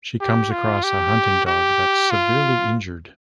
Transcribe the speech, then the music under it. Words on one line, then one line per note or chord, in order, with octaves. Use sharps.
She comes across a hunting dog that's severely injured.
G4
F4
G4
G4
F4